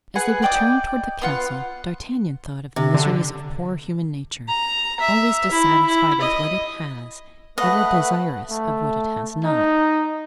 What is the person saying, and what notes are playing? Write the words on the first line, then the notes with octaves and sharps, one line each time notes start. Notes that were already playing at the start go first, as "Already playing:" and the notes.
As they returned toward the castle, D'Artagnan thought of the miseries of poor human nature, always dissatisfied with what it has, ever desirous of what it has not.
G#4 B4 F#5 G#5
D5 D#5 G5 D6
B3 F4 F#5
C3
D3
A#5
E5
E4
E4
D#5
A3 B4 D#5 F#5
A3
D#4